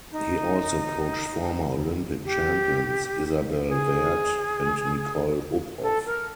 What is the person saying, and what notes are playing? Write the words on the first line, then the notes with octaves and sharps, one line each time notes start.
He also coached former Olympic champions Isabell Werth and Nicole Uphoff.
D#4
G4
G#4
A4
A#4